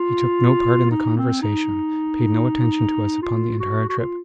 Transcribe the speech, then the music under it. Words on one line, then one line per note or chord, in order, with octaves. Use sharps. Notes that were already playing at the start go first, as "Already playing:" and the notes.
He took no part in the conversation; paid no attention to us upon the entire trip.
Already playing: F4
D#4
C4
D#4
F4
F#4
F#4
F4